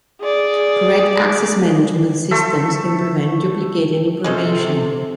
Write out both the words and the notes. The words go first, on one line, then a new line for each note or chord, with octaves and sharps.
Correct access management systems can prevent duplicated information.
G#4 D5
A3 A4 C5 E5
C3 G#3 C#4 A4 C5